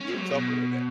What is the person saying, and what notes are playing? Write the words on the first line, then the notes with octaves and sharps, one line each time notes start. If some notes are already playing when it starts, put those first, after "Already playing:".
you're tougher than that.
C#4
F#3
B2